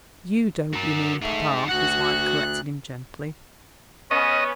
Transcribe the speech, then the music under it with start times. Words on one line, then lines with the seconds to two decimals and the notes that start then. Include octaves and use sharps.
"You don't, you mean, papa," his wife corrected him gently.
0.73 F#4 A#4
1.22 A3 D#4 G#4
1.69 D2 F#4 F#5 F#6
4.11 B3 C#4 D#5